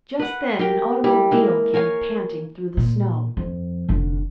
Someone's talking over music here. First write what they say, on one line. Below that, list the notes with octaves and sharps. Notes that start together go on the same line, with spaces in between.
Just then an automobile came panting through the snow.
B4 F#5
G4 A#4 G5
G3 E4
G#3 A#3 E4
A#4 C#5 F5 G#5
A#2
F2
F1 D3